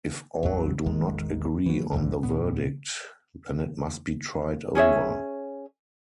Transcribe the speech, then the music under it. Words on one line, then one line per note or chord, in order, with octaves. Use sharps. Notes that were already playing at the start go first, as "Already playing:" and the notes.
If all do not agree on the verdict, then it must be tried over.
A1 E2 F#3
A1 E2 D#3 G#3
E3 F#3
B1 E2 G#2 D3
D2 A#2 A#3 B3
C#4 G#4 C#5 E5